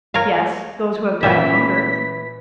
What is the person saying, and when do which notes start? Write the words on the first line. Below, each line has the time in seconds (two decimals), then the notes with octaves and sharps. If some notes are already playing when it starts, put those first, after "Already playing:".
"Yes; those who have died of hunger."
0.14 A#4 C#5 F5
1.23 A#2 E3 C#4 E5 B6